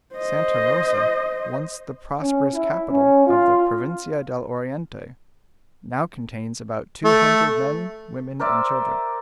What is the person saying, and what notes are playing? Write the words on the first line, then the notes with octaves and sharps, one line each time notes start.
Santa Rosa, once the prosperous capital of the Provincia del Oriente, now contains about two hundred men, women, and children.
C5 D#5
C#4
E4
C#4
F4
A3
A#4 C5 D5 E5